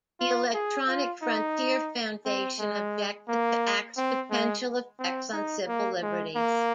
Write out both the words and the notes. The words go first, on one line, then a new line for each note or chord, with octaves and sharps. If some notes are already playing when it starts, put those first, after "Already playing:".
The Electronic Frontier Foundation objected to Act's potential effects on civil liberties.
F4
G#4
F4
D#4
C4
G#3
A#3
C4
G#3
C4
D#4
A#3
G#3
A#3